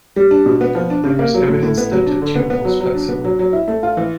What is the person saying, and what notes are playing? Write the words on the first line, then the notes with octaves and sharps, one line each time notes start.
There is evidence that the tube was flexible.
G3
D4
B2
B3
F3
D4
C#3
A#3
F#3
A2
A2
B3
F#3
D4
D3
B3
B3
F#3
F#3
D4
B3
F#3
F#3
E4
A3
F4
E3